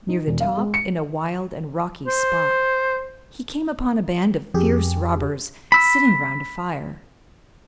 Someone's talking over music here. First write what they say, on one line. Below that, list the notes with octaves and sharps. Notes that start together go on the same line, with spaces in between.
Near the top, in a wild and rocky spot, he came upon a band of fierce robbers, sitting round a fire.
D#4
E1
F5
G#3
C#7
C5
F2 G4 G#4
B5 E6